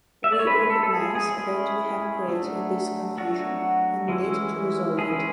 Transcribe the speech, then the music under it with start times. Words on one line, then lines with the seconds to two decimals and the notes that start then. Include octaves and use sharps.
We recognize that we have created this confusion and need to resolve it.
0.24 E5
0.32 D5
0.39 C#5
0.47 G#3 C#4 E4 B4
0.70 A4
0.83 A4
0.92 G#4
1.15 G#4
1.37 G#3 C#4 E4
2.28 F#3 A3 D4
3.18 F#3 A3 D4 F#4
4.08 E3 G#3 C#4 E4
4.98 E3 G#3 C#4 E4 G#4